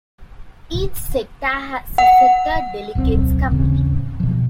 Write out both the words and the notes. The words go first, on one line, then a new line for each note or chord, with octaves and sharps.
Each sector has a sector delegates’ committee.
F#5
D1 B1 A2 C4
A1 D#2 C#3 C4
B2 F3